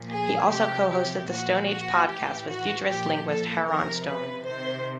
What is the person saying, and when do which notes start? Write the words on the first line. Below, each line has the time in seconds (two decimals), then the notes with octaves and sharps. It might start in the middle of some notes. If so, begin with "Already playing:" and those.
He also co-hosted the Stone Ape Podcast with futurist linguist Heron Stone.
Already playing: A#2 F3
0.10 G#4
0.50 C3 F3 G4
0.89 G4
1.29 A#2 F3 F#4
1.69 F#4
2.08 A2 E3 G4
2.49 F#4
2.88 A#2 F3 G4
3.28 A4
3.67 C3 F3 A#4
4.07 B4
4.46 C3 D#3 C5